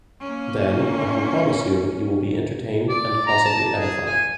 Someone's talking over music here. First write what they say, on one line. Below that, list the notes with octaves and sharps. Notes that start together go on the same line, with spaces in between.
Then, I can promise you, you will be entertained and possibly edified.
A#3 C#4
D5
A#5
A5
G#4
G#5